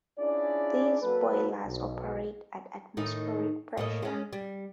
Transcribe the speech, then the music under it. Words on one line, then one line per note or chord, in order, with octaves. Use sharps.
These boilers operate at atmospheric pressure.
C#4 D4 E4 F4 G#4 D5
F#3 A#3 F#4 A4 B4
B1
A2 D#3 D#4
A2 A#3 D#5
G#3 C#4
G3